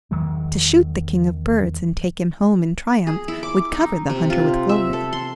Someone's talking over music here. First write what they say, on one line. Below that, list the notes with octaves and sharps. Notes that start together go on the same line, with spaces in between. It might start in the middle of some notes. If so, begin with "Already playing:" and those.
To shoot the king of birds and take him home in triumph would cover the hunter with glory.
E2 D#3 F#3 G#3
G#4
E4
D6
D#4
C3
F4
E5
A4
C6